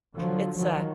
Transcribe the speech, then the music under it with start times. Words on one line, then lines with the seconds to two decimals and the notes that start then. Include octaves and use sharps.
it's a
0.15 D3 F3 F#3
0.57 D#3 F3 F#3